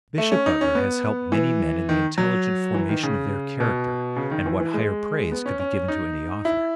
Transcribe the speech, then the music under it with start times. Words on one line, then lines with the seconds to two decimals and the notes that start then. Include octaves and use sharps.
Bishop Butler has helped many men in the intelligent formation of their character, and what higher praise could be given to any author?
0.18 A3
0.32 C#4
0.46 D#4
0.61 C#4
0.75 B3
1.32 E3
1.89 D#3
2.18 F#3
2.74 E3
2.89 D#3
3.03 C#3
3.60 B2
4.16 C#3
4.31 D#3
4.46 E3
4.60 E3
4.74 G#3
5.32 B3
5.46 C#4
5.60 C#4
5.88 D#4
6.45 E4